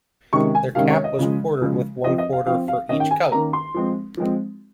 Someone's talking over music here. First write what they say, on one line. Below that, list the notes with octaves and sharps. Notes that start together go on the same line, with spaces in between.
Their cap was quartered with one quarter for each color.
C3 D#3 G#3 C#4 C#6
G#5
C3 D#3 G#3 C#4 F5
C#5
D#5
C#3 F3 G#3
C#3 F3 G#3
F3 C4 D#5
D#5
F5
F3 C4 F5
F5
D#3 A#3 C#4 D#5
G5
G#5
D#3 A#3 C#4 A#5
C6
F3 G#3 C4
F3 G#3 C4